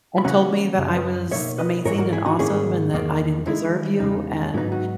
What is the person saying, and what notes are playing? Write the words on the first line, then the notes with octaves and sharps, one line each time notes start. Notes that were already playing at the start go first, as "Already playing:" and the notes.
and told me that I was amazing, and awesome, and that I didn't deserve you, and"
B5
C#3 E3 A#3 C#4 F#5 A#5
F#2 C#3
B4 D#5
B2 A#3 D#4 C#5 E5
B4 D#5
G#2 E3 A#3 A#4 C#5
F#4 A#4
E4 G#4
D#4 F#4
G#2 D#3 A#3 C#4 E4 G#4
E2 D#3 A#3
D#3 G#3 D#4 E4
E2 C#3 G#3 D#4
G#2 F#3 B3 D#4 E4
D#4 F#4